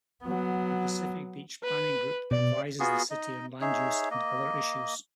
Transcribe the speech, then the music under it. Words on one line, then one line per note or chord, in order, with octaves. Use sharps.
The Pacific Beach Planning Group advises the city on land use and other issues.
F#3 B3
B4
B2 D5
B3 F4 F#4 G#4
D#4 D#5
D#4 G#4 C#5 E5
A#3 D#5